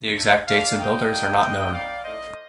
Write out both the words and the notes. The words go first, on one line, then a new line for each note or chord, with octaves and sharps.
The exact dates and builders are not known.
D3 A3 D4
F3 A#3 D4 D5 F5
D#3 A3 D#4 D#5 G5
D#3 G3 A#3 D4
D3 F3 C4 D#4
C3 G3 A#3 D#4 D5 F5
A2 A3 D#4 C5 D#5